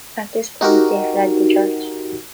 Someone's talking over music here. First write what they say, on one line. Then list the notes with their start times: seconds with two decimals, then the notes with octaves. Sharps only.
At this point they fled the church.
0.61 D#4 F#4 G4 A#4